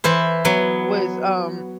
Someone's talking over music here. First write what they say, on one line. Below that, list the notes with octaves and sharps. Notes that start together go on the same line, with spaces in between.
was, um,
E3 E4 C5
F#3 B3